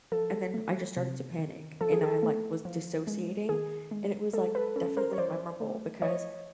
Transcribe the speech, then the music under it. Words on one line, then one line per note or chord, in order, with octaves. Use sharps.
and then I just started to panic and I, like, was dissociating and it was, like, definitely memorable because
F3 A4
A3
C3
D#3
F3 A4
G#4
A4
A3
F3
G#3
D#3 G#4
G#3
G#3 A4
A4 B4
C#4 A4
A#4 C5
C#5
F3 C5 D5
A3
F3 C#5 D#5